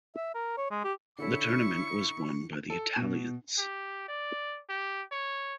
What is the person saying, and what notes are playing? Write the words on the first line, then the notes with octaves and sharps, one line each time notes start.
The tournament was won by the Italians.
E5
A#4
C#5
G#3
G4
D3 C#4 E4 A4 C#6 C#7
A4
B2
G4
D5
G4
C#5